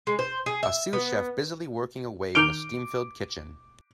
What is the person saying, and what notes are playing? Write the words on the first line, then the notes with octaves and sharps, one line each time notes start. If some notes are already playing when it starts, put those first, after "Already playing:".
A sous chef busily working away in a steamfilled kitchen.
G#3
C5
G#4
E5
B3
D#3 D6 F6 G6 D7